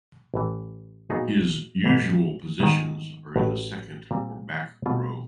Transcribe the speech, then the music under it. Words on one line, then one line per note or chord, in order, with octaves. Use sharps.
His usual positions are in the second or back row.
A1 A2 E3
A#2 F#3 B3 D#4 G#4
A1 G#2 E3
G#2 D#3 G3 B3 E4
A1 A2 F#3
A#2 G3 C4
B2 G3 C4 F4